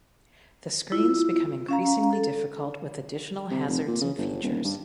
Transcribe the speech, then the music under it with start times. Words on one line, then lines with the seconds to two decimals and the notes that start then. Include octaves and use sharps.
The screens become increasingly difficult with additional hazards and features.
0.92 E4 F4
1.69 C#4 F5 A#5
2.13 A4
3.51 C3
3.68 F1
3.87 A#2
4.01 C#3
4.18 G1
4.43 D#1
4.64 G2